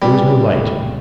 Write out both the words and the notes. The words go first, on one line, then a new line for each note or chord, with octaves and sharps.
There was no light.
G3 B3 G#4 B4
D3 A3
C#2 A#2